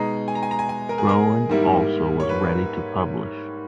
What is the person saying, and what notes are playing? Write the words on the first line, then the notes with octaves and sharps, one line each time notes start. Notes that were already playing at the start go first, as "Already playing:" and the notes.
Groen also was ready to publish.
Already playing: B2 G#3 D#4 A#5
G#5
A#5
G#5
A#5
G#5
G#5
A#4
G#4
A#4
G#2 D#3 G3 A#3 E4
C#5
B4